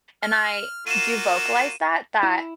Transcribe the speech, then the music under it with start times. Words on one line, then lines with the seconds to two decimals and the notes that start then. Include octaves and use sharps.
and I do vocalize that, that,
0.23 F6
0.87 A#3 F4 F#4 D#7 E7
2.23 E4